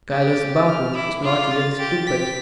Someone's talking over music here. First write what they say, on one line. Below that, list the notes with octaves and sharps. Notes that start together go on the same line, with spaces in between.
Kailas Babu was not really stupid.
G4 A6
F6
E4 D6
F4
A6
G4
G4 B6